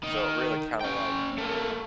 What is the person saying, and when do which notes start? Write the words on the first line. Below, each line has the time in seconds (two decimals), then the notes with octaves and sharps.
So it really kind of like,
0.03 D#3
0.81 C#4 G5
1.38 A3 A#3